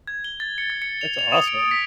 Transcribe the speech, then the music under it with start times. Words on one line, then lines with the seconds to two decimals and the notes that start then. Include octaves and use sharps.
That's awesome.
0.07 G#6
0.24 G7
0.40 A6
0.58 C#7
0.70 A6
0.82 C#7
1.01 F7
1.19 F7
1.32 D#6
1.47 D7
1.59 D7
1.71 B6